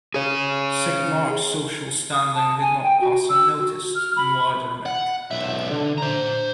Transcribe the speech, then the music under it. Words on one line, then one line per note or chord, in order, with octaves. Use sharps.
Saint Mark's social standing did not pass unnoticed in wider America.
G#4 C#5
D#6
A5
G#5
G5
F#4
E6
F#4
F6
B5
F#5
B1 E5
D3
C5 A#5